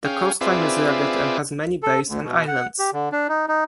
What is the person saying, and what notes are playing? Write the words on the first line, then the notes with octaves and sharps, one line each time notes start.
The coastline is rugged and has many bays and islands.
C#4 G#4 F5 G5
C4 F4 G#4 B4 D5 E5
A4
D2
B2
F#5
G4
D3
D4
D#4
D#4